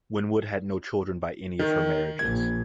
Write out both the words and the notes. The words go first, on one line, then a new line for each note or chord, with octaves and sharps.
Winwood had no children by any of her marriages.
D#3
A#1 G#6